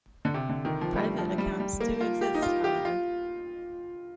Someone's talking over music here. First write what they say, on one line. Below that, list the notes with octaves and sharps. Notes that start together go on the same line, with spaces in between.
Private accounts do exist, however.
D3
C3
D3
D#3
F3
A3
G3
F3
G3
G3
A#3
F4
G4
D#4
F4
G4
F4